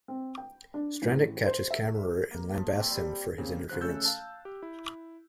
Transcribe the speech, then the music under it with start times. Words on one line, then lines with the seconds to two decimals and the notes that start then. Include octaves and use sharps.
Strannik catches Kammerer and lambastes him for his interference.
0.08 C4
0.38 G5
0.74 D4
1.02 A1
1.46 C5
1.71 E5
2.31 A#3
2.54 F3
2.76 C4
2.90 G3
3.38 C#3 A#3 C4
3.69 C#2 G#2 C5 F#6
3.81 C#3 A3 C#4 A4 E6 G6
4.05 F5 A5
4.45 G4
4.62 E4